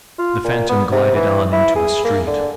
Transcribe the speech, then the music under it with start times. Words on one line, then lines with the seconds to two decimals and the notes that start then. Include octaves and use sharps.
The Phantom glided on into a street.
0.19 F4
0.44 A#2
0.69 B3
0.92 C3
1.16 E3
1.53 E4
1.75 G#4
2.04 A#3
2.27 D3